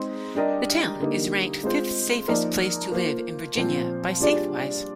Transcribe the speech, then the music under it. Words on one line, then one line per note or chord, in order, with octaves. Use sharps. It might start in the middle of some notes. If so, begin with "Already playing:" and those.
The town is ranked fifth-safest place to live in Virginia by Safewise.
Already playing: G#3 C4 D#4
G3 D4 G4 A#4 D#5
D3 G3 A#3 D#4
G#3 C4 F4 C5
F3 A#3 D#4 A#4 D5
A#3 F4 C5
A#2 F3 C4 F4 C5
G3 D4 F4 G#4 D5